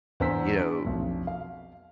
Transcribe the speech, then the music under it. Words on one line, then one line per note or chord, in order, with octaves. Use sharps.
you know,
E2 D4 C5 A#5 E6 B6
D4
B1 F2
F5